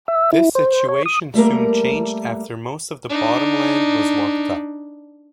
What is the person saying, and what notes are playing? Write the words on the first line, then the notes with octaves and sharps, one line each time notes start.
This situation soon changed after most of the bottom land was locked up.
E5
E4
C5
C#5
D#6
G3 A3 A#3 A#4
D4 D#4